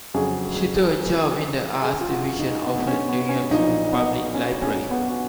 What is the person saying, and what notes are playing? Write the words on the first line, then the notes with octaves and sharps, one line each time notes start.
She took a job in the art division of the New York Public Library.
F2 C#3 F#3 G#4
G#4
F4
F#4
D#4
B3
C#4
B3
C#4
B1 A#2 F3 D#4
B3
C#4
C#4
B3
F#4